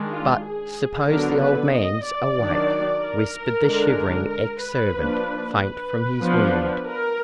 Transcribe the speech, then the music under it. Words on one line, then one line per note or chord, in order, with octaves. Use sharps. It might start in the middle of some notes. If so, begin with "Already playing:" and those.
"But, suppose the old man's awake?" whispered the shivering ex-servant, faint from his wound.
Already playing: D#3 G#3 D4
F4
G#4
D3 F#3 B3 D4 A#4
B4
D#5
D5
D#3 F#3 D4
A#4
D3 G#3 D4
A#4
B4
F3 A#3 D4
B4
F3 B3 D4
A#4